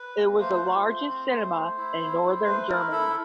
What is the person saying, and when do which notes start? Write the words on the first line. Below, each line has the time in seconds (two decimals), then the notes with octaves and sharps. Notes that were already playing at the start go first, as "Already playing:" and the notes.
It was the largest cinema in northern Germany.
Already playing: B4
0.17 A#3
0.40 A3 C5
0.62 F4
0.85 A3
1.08 C4
1.31 A3
1.54 A3
1.77 E4
2.00 E4
2.23 E4
2.45 A3 B4
2.68 E4 A#4
2.91 E4 A4